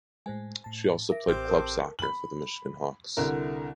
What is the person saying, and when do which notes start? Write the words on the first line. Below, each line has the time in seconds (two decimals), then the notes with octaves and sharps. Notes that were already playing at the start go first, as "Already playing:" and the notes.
She also played club soccer for the Michigan Hawks.
0.26 A2 G#3 C5 G#5
0.64 A2 A5
1.09 A#4 E5 D6
1.27 A1 C4 G4 C5 D6 F6
1.48 A4 A#4 A5
1.99 B5 F#7
3.17 C2 D3 E4 A#4